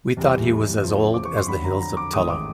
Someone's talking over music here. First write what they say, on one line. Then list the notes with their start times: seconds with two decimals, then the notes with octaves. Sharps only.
We thought he was as old as the Hills of Tullow.
0.17 E2 C3 E3 G3
0.82 E2 C#3 F3
1.14 D6
1.25 C#6
1.37 C6
1.48 F2 D3 F#3 B5
1.64 A#5
1.81 A#5
1.97 D6
2.13 A1 G#2 D#3 G#3 D#6
2.30 D6